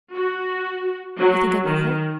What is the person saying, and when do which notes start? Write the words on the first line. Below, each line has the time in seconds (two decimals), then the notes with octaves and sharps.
You think I may hope?
0.14 F#4
1.18 F#3
1.67 D#3